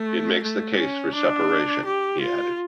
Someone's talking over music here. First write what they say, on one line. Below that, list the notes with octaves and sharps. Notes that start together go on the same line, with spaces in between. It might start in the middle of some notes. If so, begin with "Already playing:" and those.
It makes the case for separation, he added.
Already playing: A3
A3
C#4
D4
G4
F4